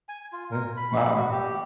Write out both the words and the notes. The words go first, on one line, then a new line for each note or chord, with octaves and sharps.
That's wild.
G#5
F4
A#4
B5
F#4
G4